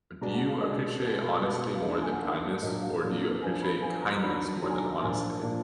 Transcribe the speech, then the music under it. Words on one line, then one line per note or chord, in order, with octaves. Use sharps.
do you appreciate honesty more than kindness, or do you appreciate kindness more than honesty?
B2 G#3 D4 A#5
F#5
F5
B2 G#3 D4 D#5
B2 G#3 B3
B4
A#4
D5
B2 G#3 B3 B4
A#4
B4
F5
D#3 A#3 D4 D#5
G#5
F#5
D#3 A#3 D4 F5
A#2 F#3 A#3 D4 D#5
F5
A#2 F#3 A#3 D4 F5
F3 B3 D4 G#5
B5
F3 B3 D4 G#5
A#5
D#3 F#3 D4 B5
D#3 F#3 D4 A#5
G#5
A#5
A#2 F3 A#3 D4 G#5
A#2 F3 A#3 D4